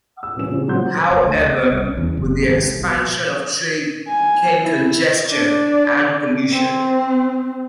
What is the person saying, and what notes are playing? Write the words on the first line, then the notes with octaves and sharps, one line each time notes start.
However, with the expansion of trade came congestion and pollution.
E6
C2 E3 F3 C#4 E7
C#3 C4 C#4 C5
A#2 F3 F#3 C#5 C6 G6
F1
D2
C#3
B3
C2
C#4
E2
F#1
G#1
C3
C2
B2
G#5
E4
D4 D5
C4